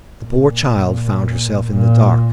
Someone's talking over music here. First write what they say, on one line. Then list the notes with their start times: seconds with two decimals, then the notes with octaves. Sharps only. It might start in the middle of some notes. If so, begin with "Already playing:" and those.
The poor child found herself in the dark.
0.21 A#2
1.70 A#2